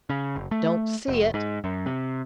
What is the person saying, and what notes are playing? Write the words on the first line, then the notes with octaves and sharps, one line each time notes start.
'Don't see it.
C#3
F#1
A3
F1
G#2
F#2
C3